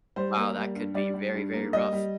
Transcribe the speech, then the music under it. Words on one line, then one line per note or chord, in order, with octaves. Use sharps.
wow, that could be very, very rough.
G3 C5
A#3
G3
G2
G3 D5
G3
G2
A#3
G3 D#5
G3